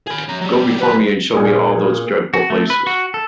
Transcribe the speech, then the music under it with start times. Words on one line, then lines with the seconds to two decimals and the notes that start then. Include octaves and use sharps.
Go before me and show me all those dreadful places.
0.07 G#4 B5
0.29 C#4 A#5
0.41 F#3 G3
0.80 B4
1.36 A#2 G#4
2.34 F#4
2.50 A3
2.70 B4
2.87 F#4
3.14 A4